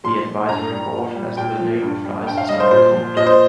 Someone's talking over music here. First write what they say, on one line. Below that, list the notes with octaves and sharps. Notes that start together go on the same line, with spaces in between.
The Advisory Board as the name implies is not a court.
A#2 C6
F3
G2 A#5
G3
A#2
G3
A#2 G5
F3
G2
G3
G2 G5
F5
G3 D#5
C5
A#2 C5
F3
A#2 D#5
C5